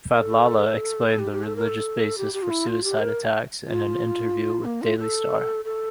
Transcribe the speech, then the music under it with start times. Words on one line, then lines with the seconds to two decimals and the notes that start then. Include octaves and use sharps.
Fadlallah explained the religious basis for suicide attacks in an interview with "Daily Star".
0.13 A#4
0.19 A4
1.09 A4
1.19 G4
1.31 G4
1.43 A4
1.56 A#4
1.68 A4
2.18 G4
2.34 G4
2.42 F4
2.50 E4
2.67 F4
2.84 G4
3.00 A#4
3.67 F4
4.65 A#3
4.82 F4
4.98 A4
5.65 A4